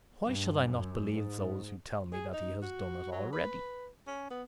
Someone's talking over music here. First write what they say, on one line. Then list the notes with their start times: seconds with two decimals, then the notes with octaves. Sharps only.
Why should I not believe those who tell me that He has done it already?
0.24 G2
0.67 F#2
1.14 G#2
2.13 G#4
2.34 D#4
2.63 F#4
3.12 F#3
3.33 B4
4.08 C#4
4.31 B3